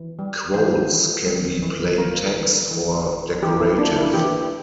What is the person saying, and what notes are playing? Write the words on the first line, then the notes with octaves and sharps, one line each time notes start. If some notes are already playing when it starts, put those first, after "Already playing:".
Quotes can be plain text or decorative.
Already playing: E3
G3
E3 C5
E3
G3
E3
A#3 A#4
E3
E3
E3
E3 G4
E4
A#3 D4
E4
E3 G4